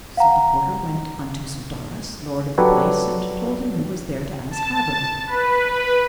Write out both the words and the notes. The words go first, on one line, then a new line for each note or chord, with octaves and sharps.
So the porter went unto Sir Darras, lord of the place, and told him who was there to ask harbour.
F5 F#5 A#5
F#3 D4 G4 A4 B4 C#5
A5
B4